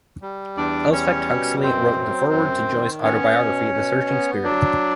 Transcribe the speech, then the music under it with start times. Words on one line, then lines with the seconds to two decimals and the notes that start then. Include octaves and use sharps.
Elspeth Huxley wrote the foreword to Joy's autobiography "The Searching Spirit".
0.22 G3
0.57 E2 D4 D5
0.92 G3 C#4 C#5
1.28 B2
1.63 F#2 C4 C5
1.97 F#3
2.33 F#2
2.68 D#3
3.03 B3 C#4 C#5
3.39 B2
3.74 B2
4.09 B3
4.44 F#3 D4 D5